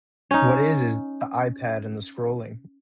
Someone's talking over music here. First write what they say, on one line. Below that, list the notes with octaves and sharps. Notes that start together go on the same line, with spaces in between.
What it is is the iPad and the scrolling.
C#4 D#4